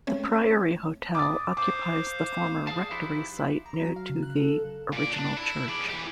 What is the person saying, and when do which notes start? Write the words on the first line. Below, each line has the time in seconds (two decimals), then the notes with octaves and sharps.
The Priory Hotel occupies the former rectory site near to the original church.
0.07 G#3 A3 C4 C#4 C#5
1.15 D6 D#6 A6
1.57 C5 F5 D6
2.67 G#4 A#4 D5 F5 A5
2.91 F3 D#4 E4 G4 B4 C5
3.66 A#5
3.80 F#3
3.96 F5
4.10 C#3
4.23 F#6
4.36 A4
4.92 A#2 D5
5.13 D4
5.37 E4
5.69 G#4 D5
5.90 E3 G4